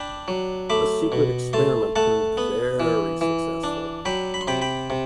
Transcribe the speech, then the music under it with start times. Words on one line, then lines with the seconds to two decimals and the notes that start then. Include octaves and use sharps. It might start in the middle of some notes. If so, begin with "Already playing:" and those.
The secret experiment proved very successful.
Already playing: D4 G5 B5
0.28 F#3
0.70 A3 B5 D6
1.12 B2
1.53 A3 A5 C6
1.96 A3 F#5 A5
2.37 B3
2.80 E3
3.21 E3
3.64 D4
4.05 F#3 G5 B5
4.34 B5
4.41 C6
4.47 C3 G5 B5
4.62 G5 B5
4.90 C3